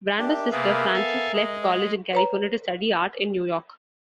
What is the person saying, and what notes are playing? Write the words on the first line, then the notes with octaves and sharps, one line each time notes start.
Brando's sister Frances left college in California to study art in New York.
D4 G4 A#4 E5
C3 A#3 B3 G#4 B4 F5
B3 A4 F5 G#5
G#3 D#5
B4 C#5 A#5